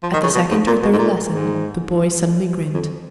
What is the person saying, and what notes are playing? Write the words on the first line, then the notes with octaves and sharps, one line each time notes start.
At the second or third lesson the boy suddenly grinned.
F3
D#3
C#3
B2
G#2
A#2
B2
G#2
A#2
G#2
F2